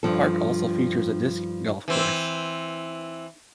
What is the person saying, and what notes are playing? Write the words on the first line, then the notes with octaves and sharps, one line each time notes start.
The park also features a disc golf course.
G2 F3 A4
E3 C4